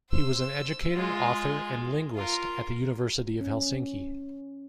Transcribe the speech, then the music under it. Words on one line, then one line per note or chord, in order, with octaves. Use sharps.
He was an educator, author and linguist at the University of Helsinki.
C5 E6
G#3 F4
F4 A#4
C#4